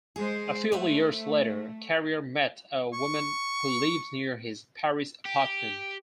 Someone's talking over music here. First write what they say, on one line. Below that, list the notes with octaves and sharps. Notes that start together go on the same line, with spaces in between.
A few years later, Carrier met a woman who lived near his Paris apartment.
G#3 G#4 C5
A3 B4 C5 E5
C#6
G4